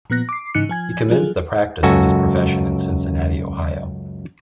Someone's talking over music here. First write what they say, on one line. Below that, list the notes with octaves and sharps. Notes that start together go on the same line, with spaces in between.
He commenced the practice of his profession in Cincinnati, Ohio.
A#2 F3 B3 F#6 A#6
D6 C7
G#2 C#3 E3 D#4 F#6 C#7
F3 G#5 G#6
F3 F#3 F4 G#4
C#2 F#2 F#4 A4 G#5